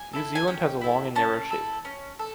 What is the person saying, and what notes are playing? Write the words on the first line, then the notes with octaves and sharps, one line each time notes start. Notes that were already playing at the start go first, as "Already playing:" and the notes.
New Zealand has a long and narrow shape.
Already playing: G#5
E4 A4
G#5
C#4 G5
E4 A4
C#4 A5
E4 A4
C#4
A4